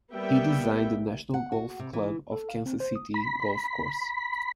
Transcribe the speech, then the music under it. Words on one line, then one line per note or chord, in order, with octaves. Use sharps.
He designed the National Golf Club of Kansas City golf course.
G3 A#3 B3 E5 G5
F#5
F#4
C3
E3
A4
F5
C4
C5
D#6
B5